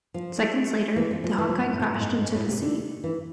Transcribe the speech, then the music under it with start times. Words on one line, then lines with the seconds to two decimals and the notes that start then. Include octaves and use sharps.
Seconds later, the Hawkeye crashed into the sea.
0.14 F3
0.96 E3
1.11 F3
1.24 F3
1.38 E3
1.49 F3
1.59 E3
1.73 A2
1.80 B2
1.94 A2
2.01 G#2
2.21 G#2
2.35 A2
2.49 C3
2.62 D3
3.04 E3